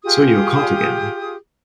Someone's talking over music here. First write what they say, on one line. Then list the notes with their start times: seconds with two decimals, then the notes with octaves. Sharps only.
So you are caught again!
0.03 F4 G4 G#4 D#6